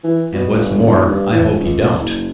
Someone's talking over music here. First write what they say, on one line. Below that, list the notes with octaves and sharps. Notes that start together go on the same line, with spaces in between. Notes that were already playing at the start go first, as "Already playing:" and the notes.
"And what's more, I hope you don't."
E3
B2
G1
D#1
G2
E3
C#2
F#1